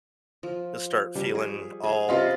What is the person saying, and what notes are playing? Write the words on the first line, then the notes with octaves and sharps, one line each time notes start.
You'll start feeling all
F3
G3
G#4
G#4
C3 F4 D#5 F5 B5